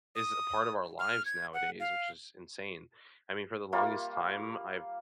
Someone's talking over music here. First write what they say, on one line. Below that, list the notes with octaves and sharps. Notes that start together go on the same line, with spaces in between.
is a part of our lives nowadays, which is insane. I mean, for the longest time I've
D#6
F6
G#6
F#5
F5
G3 A#3 F4 F5